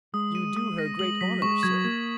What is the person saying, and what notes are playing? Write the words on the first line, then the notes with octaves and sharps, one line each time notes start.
"You do her great honour, sir."
G#3 D#6
D#7
D#6
A#6
G#3 F#7
F#3 B6
G#3 C#6
F#3 G#6
A#3 G#6